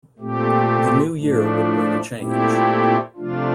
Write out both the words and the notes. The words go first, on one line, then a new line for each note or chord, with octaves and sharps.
The new year would bring a change.
A#2 A3 C4 G4
A2 F3 A3 D4
A#2 A3 C4 E4 G4
C3 F3 A3 D4 F4